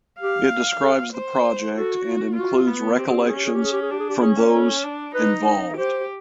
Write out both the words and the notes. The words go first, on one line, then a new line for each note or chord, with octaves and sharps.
It describes the project and includes recollections from those involved.
G4 F5
A4
C5
F#4 A4
F4 F#4
B3
C4 G4
G#4
G4
C#4 G#4
G4
G#4
G4
C#4 G#4
G4
G#4
D4 G4
G#4
G4
C#4 G#4
C#4 A4
D4
D#4 B4
G4 C5